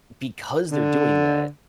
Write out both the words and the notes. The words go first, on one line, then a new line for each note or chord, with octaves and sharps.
because they're doing that,
D3